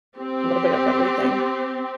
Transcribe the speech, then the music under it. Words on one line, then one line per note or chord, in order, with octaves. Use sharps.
a little bit of everything.
C4 G4